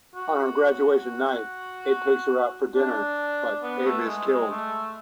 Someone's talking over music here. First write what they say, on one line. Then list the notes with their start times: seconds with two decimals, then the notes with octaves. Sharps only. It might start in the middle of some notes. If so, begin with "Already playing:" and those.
On her graduation night Abe takes her out for dinner, but Abe is killed.
0.15 F#4
2.75 D4
3.63 B3
3.85 A3
4.06 G#3
4.28 G#3
4.50 A3